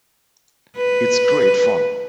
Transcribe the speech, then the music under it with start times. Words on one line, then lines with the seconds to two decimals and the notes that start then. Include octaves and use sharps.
It's great fun.
0.78 B4